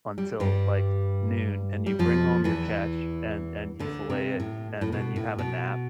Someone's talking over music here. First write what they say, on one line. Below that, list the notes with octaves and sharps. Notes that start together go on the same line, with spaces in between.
until, like, noon, and you bring home your catch and and you fillet it and then you have a nap,
G3
G2 G3
G3
F2 F3
E2 E3
D2 D3
C3
A2
A2
B2
A2
B2